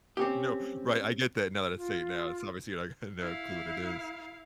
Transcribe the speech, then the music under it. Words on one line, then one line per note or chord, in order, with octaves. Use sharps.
No, right, I get that, now that I say it now, it's obviously, like, no clue what it is,
C4 C#4 G4
F4
E4 F5